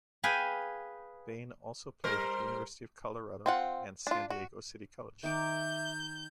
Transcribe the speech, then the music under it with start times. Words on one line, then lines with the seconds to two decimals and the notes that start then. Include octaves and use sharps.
Bain also played at University of Colorado and San Diego City College.
0.23 G#4 B4 F5 G5 G#5
2.04 G3 A#4 C5
3.46 C4 F4 F#5
4.07 D4 F4
4.30 F#4
5.23 D#3 D#4 E5 D6 G6